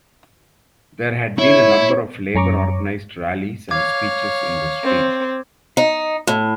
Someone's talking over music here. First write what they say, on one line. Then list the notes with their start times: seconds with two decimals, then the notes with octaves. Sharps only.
There had been a number of labor-organized rallies and speeches in the street.
1.39 E4 C#5
2.35 F#2 C#4 A#5 C#6 D6
3.71 C#5 F5 D6 G#6
4.84 C4
5.77 D#4
6.27 A2